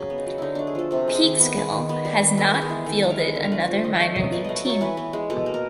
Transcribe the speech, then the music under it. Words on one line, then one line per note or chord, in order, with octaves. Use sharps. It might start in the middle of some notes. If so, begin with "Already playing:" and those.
Peekskill has not fielded another minor league team.
Already playing: C#3 F#3
B3
D#4
F#3
D3 D#4 E4
A3 D4
G#4
F3 A4
C3 A4
G#3
G#4
D#3
B3
G#3
D#3
B3
G3
D#3
B3 A4
G#3
G#4
E3
D#3 A4
B3
A#4
G#3
D3 A4
A#4
A3 B4
C5
F3
D#3 D#5
A3 C#5 D5
F#3 D#5
B2 D5
A3 D#5
D5
F#3 C#5
E3 B4
B3
G#3
B2 A4
A#3
A#4